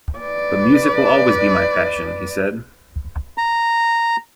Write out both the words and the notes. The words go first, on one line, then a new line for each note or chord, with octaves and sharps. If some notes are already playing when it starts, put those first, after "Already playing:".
But music will always be my passion, he said.
B4 D5
A#5